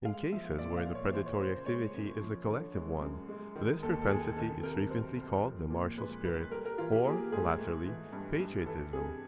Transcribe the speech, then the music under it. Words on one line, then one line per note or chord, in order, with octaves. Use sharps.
In cases where the predatory activity is a collective one, this propensity is frequently called the martial spirit, or, latterly, patriotism.
G#3 F5
F3 E5
A#2 D5
F5
A#2
C#5
E3 C5
C#5
C#3 C5
C5
G#3 C#5
F#2
F3
D3
G#3
F#2
G#3
D#3
D#2 A4
A4
D#2 G#4
D#3 A4
C3 A#4
F#3 C5
C2
F3
A#2
G#3 B4
C2 B4
G3 A#4
A#4
E3 F4
G4
A#3 G#4
G#2 G#4
A3
E3
G2
G2
E3 A4
C3 G#4